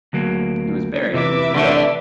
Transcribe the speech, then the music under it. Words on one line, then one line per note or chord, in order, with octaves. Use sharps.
He was buried in Seville.
D2 F#3 A#3
C3 E3 B4 E5 D6
D3 A3